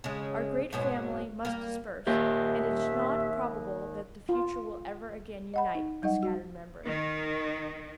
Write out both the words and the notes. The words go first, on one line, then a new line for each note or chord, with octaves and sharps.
Our great family must disperse, and it is not probable that the future will ever again unite the scattered members.
C#3 G#3
G#2 B2 F#3
G3 A#3
D#2 A#2 G4 E5
F4
D#5 F#5 B5
D#4
F#3 G3 D#4 D#5 F#5
F#4
D#3